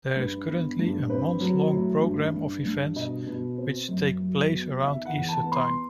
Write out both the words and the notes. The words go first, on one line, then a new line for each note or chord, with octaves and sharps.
There is currently a month-long programme of events which take place around Easter time.
G2 B4
B3
G2
C4 B4
F#3
A2
G2
G2
G2
B2 D#5
B2
C4
F#2
F#3
B3
D#3 E5
F#5
E2
A5
B3
C6